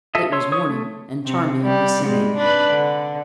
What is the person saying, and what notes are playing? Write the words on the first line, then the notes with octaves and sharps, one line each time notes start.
It was morning, and Charmian was singing.
F4 A4 D#5 E5
C#5 C6 E6
C#5 D#6
A3
C3
G3 G4
G#2 G3 G#3
D4 B4
D3